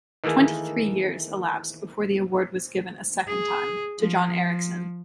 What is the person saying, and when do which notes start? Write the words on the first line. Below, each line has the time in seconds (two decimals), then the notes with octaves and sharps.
Twenty-three years elapsed before the award was given a second time, to John Ericsson.
0.24 D#3 E3 A3 A#3 G#4
3.27 G#4
3.99 F3